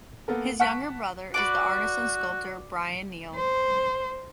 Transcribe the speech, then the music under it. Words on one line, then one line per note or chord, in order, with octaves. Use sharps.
His younger brother is the artist and sculptor Bryan Kneale.
A#3 B3 A4 A#4
F#5 A5 C#6 F#6 B6
F#4 B4 D5 D6
C5